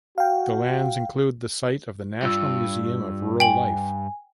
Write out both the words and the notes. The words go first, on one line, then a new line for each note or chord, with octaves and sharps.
The lands include the site of the National Museum of Rural Life.
F#4 F5 G5
G2 F4 E6
G5 G#5 F#7